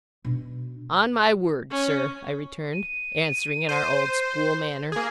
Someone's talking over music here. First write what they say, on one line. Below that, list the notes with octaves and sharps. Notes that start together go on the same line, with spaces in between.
'On my word, sir!' I returned, answering in our old school manner.
B2 D4
C#4
D#7
C5
A#3 G#4